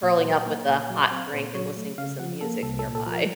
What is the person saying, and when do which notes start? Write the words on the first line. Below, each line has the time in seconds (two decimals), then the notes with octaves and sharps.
curling up with a hot drink and listening to some music nearby.
0.03 A#2 F5
0.19 F#5
0.25 F#3
0.35 A5
0.46 A#3
0.51 F#5
0.68 A#2 A5
0.84 F#5
0.90 F#3
1.01 F#5
1.11 C4
1.17 F5
1.33 A#2 C5
1.55 F#3 C#5
1.77 A3
1.98 C#3 F5
2.20 F3 F#5
2.41 A#3 A4
2.63 C2 A4
2.79 A4
2.85 A#2
2.95 A4
3.06 F3
3.12 A#4